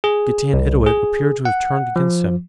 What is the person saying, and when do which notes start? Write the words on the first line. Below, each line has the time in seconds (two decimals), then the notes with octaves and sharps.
Getanittowit appeared to have turned against him.
0.04 G#4
0.53 C2
0.86 G#4
1.45 F#5
1.96 F3